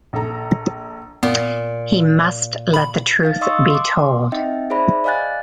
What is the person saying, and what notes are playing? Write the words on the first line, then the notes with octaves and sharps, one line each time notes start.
He must let the truth be told.
A#1 A4 A#5
A#2 B3
B5
D#4 F5 A6
D#5 F5 C6 C#6 D#6 E6
C6 D6
C4 D#4 D#5 E5 G5
D#4 G#4 C5 D5 E5 B5
D5 D#5 F5 G#5 F#6 A6